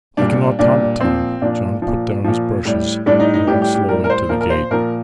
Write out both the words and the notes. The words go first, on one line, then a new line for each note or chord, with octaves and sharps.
Like an automaton John put down his brushes, and walked slowly to the gate.
A#2 G3 D4
A#2 G3 D4
A#2 F3 C4
A#2 F3 D4
F3
A#2
A#2 F3
A2 G3
A2 G3 D4
D#4
D#4
A2 G3 G4
G4
G4
A2 G3 A#4
A#4
C5
A#2 F3 A#4
A#4
C5
A#2 F3 A#4